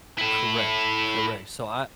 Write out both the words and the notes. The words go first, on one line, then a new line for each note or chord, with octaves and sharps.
Correct. Correct. So I
E4 A4